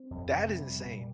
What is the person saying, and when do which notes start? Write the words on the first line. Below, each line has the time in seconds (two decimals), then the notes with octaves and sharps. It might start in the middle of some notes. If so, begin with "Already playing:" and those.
That is insane.
Already playing: C4
0.11 F2
0.32 C3
0.55 G3
0.78 A#2